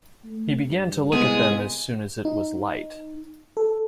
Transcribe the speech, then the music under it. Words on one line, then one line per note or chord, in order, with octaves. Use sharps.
He began to look at them as soon as it was light.
A3
G2
C2 G#3 B3 G#4
D#4
A4